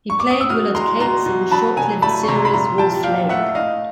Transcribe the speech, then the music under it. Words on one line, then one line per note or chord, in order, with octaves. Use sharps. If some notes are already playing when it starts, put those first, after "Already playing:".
He played Willard Cates in the short-lived series Wolf Lake.
C#6
D6
D#6
E6
B2 D#6 F6
G#3 A#5 C6
B2 A#5 C6
B2
F#3 A5 B5
C3 G#5 A#5
A3 A5 B5
C#6
C3 A#5 C6
B5
A#2 A#5 C6
F3 G5 A5
A#2 F5 G5
A3 E5 F#5
A2 D#5 F5